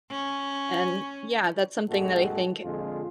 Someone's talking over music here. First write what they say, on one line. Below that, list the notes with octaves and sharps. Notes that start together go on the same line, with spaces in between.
and yeah, that's something that I think
C#4
C2 G2 A#2 G#3 F#4 A4
F2 A#2 D3 G#3 F4